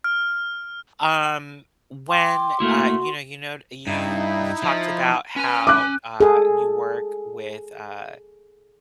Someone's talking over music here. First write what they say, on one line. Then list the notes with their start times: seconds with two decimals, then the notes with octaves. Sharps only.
Um, when, uh, you know you know you you talked about how, uh, you work with, uh,
0.04 F6
2.09 G5 C6 D6
2.60 A3 A#3 E4 F#4
3.87 G2 D#4 E4
4.64 F3
5.36 C#4 B4 G#5 F6
5.67 B4 G5 D6 F#6
6.20 G#4 A4